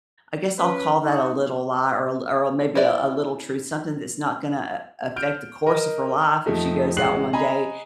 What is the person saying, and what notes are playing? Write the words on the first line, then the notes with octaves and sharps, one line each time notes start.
I guess I'll call that "a little lie" or a l or a maybe a "a little truth," something that's not gonna a affect the course of her life if she goes out one day
C#4 B4
D#4 F#4
E4 B4 C5 D5 E5
F6 G6 D7
A#4 D#5
F2 A3 D#4
A1 G#3 F#5 F#6 C7 F#7
D#5 G#5 A#5 B5